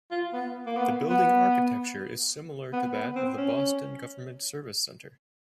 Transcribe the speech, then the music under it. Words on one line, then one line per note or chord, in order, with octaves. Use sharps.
The building architecture is similar to that of the Boston Government Service Center.
F4
B3
A#3
B3
B3
B3
B3
C4
C#4